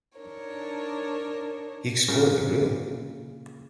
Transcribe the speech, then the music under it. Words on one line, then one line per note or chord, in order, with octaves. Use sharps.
He explored the room.
D4 D#4 A#4 C#5
A#2 C#3 A#4